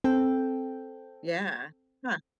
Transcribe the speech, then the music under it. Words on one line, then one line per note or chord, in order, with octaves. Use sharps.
Yeah. Huh.
C4 A4 G5